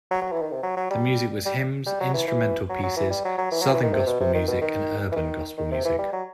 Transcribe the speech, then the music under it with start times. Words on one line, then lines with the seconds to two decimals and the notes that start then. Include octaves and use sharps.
The music was hymns, instrumental pieces, southern gospel music, and urban gospel music.
0.11 F#3
0.22 F#3
0.32 E3
0.42 D#3
0.52 C3
0.63 F#3
0.77 F#3
0.90 G3
1.45 G3
1.86 G3
2.00 F#3
2.14 E3
2.28 E3
2.69 F#3
2.83 F#3
2.97 E3
3.10 G3
3.25 F#3
3.38 F#3
3.51 E3
3.61 F#3
3.72 E3
3.83 D#3
3.93 C3
4.06 B2
4.20 C3
4.34 D#3
4.48 B2
4.61 D#3
5.12 E3
5.16 D#3
5.57 D#3
5.72 C3
5.85 E3
5.99 G3
6.13 F#3